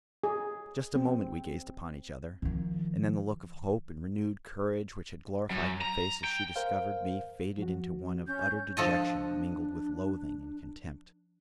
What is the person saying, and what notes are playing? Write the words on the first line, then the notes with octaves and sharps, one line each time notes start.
Just a moment we gazed upon each other, and then the look of hope and renewed courage which had glorified her face as she discovered me, faded into one of utter dejection, mingled with loathing and contempt.
G#4
C4
D#3 F3
F#2
A#5
G5
A#4 C5 F5
F3 F#4
C#4 G6
F3 D4 A4 D#5